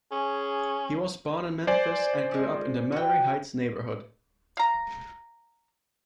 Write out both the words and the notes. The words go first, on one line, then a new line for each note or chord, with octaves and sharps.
He was born in Memphis and grew up in the Mallory Heights neighborhood.
C#4 G#4
C5 D5 G#5
F3 G#3
F#4 G5
F5 A#5